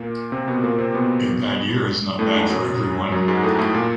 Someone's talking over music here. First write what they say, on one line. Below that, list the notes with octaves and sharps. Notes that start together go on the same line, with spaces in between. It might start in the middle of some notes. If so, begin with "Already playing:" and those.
A bad year is not bad for everyone.
Already playing: A#2 A#3
C3 C4
B2 B3
A#2 A#3
C3 C4
B2 B3
A2 A3
G#2 G#3
F#2 F#3
F#2 F#3
G#2 G#3
A2 A3
A2 A3
A#2 A#3